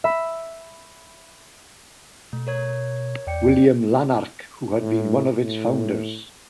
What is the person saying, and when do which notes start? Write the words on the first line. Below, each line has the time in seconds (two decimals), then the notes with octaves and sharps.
William Larnach who had been one of its founders.
0.04 E5 B5
2.33 B2 A3
2.47 A#4 C#5 G#6
3.27 E2 D5 G5 C#7
4.80 A2
5.42 A2